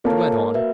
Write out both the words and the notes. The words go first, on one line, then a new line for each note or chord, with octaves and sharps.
She went on.
A#3 F4 A4 C#5 F5 A5
F#4 B4 E5